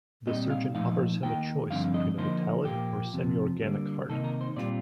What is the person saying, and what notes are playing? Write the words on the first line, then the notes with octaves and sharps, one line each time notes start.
The surgeon offers him a choice between a metallic or semi-organic heart.
A#2 G3 C4 D#4 D#5
F5
A#2 F3 A3 D#4 F5
D#3 A#3 D#4 G5
G2 D3 F3 C4 F5
D#5
D3 F3 A#3 D#4 C5
A#2 F3 A#3 G4
F2 C3 F3
D3 G3 A#3
C3 D#3 A#3 D#4 A4
A#4
C5
A#2 G3 C4 F4 D5